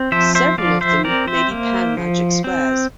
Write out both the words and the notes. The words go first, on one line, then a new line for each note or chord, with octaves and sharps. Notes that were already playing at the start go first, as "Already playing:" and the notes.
Several of them may be panmagic squares.
Already playing: C4
F3 C5 E5
C5 E5
F3 D5 F5
C5 E5
C4 A#4 D5
C5 E5
A#3
F3
C4